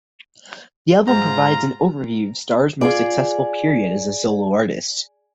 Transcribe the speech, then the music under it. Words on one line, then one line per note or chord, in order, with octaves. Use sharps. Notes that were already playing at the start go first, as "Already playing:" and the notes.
The album provides an overview of Starr's most successful period as a solo artist.
G#2 F4 A#5
F4 G#4 D5